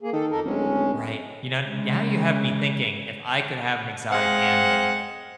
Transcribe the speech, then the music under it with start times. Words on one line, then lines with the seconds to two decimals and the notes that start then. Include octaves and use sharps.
Right. You know now you have me thinking, "If I could have an exotic animal,
0.01 A#3 G#4
0.13 D#3 A4
0.31 F2 A4 A#4
0.45 D1 G#3 C#4
1.64 C#3 G#3
4.11 G#3 C4 F5 F#5